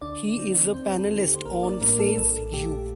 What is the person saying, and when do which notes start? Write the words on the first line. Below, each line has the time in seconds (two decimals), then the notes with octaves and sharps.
He is a panelist on Says You!
0.01 D2 D4 D5
0.37 D3 A3 C4 D#4
0.73 D#2 C4 C5
0.98 A4
1.10 D3 A3 C4 D#4
1.22 G4
1.35 C5
1.45 A1 A#3 A#4
1.63 D4 D5
1.81 A2 G3 A#3 D4 A#4
1.99 A4
2.17 A#1 A4
2.53 A#2 A3 G4